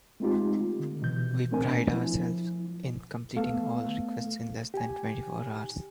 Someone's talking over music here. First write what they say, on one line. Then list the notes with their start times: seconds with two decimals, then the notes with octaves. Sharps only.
We pride ourselves in completing all requests in less than twenty four hours.
0.20 G#3 A3 C4 D#4 F4 G4
0.79 D3
1.02 B2 E3 G6
1.51 A#2 A3 C4 D4 A#4 G#5
1.92 F3 E4
3.36 A3 B3 A4 F5
4.74 G4 G#5